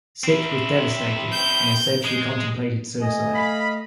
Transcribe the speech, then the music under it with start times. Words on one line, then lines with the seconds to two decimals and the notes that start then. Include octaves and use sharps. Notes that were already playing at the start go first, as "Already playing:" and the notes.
Sit was devastated and has said she contemplated suicide.
0.24 C4 E4
1.32 G6
2.04 G#3
3.01 A3 D#5 G#5
3.34 F5 B5